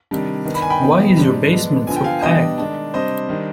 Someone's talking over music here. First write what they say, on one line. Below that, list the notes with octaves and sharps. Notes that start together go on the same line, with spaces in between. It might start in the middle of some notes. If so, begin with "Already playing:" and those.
Why is your basement so packed?
C3 D#3 G3 D4
D#3 B3 D4
B5
G#5
G5 B5
B2 B3 D#4
G#2 G3 D4
D3 G#3 B3 D4
D3 F3 B3 G#5
G5
F5 G#5
B2 G3 B3 D4 D#5 G5
D#3 G#3 D4
C3 G3 D4 C5 D#5
D#3 G3 D4